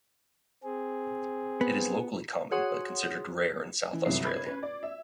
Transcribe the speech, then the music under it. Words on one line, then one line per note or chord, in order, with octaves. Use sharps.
It is locally common but considered rare in South Australia.
C4 G#4
B3
F#4 G#4 C#5 F#5 C6 D#6
E3
G1 C2 F#3 C7
B5 G#6
C#4 B4
D5
E5